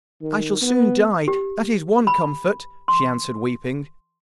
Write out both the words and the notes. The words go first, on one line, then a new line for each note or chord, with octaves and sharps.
'I shall soon die, that is one comfort,' she answered weeping.
D#3
B3
G4
B5
C6